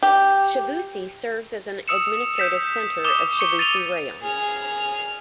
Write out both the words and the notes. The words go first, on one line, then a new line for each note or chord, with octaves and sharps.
Chavusy serves as an administrative center of Chavusy Raion.
G4
D#6 E6 C#7 E7
G6 B6 E7
D6 D#6 E7 G7
C#6 C#7 G7
A6 D#7 F7 G7
G#4 F6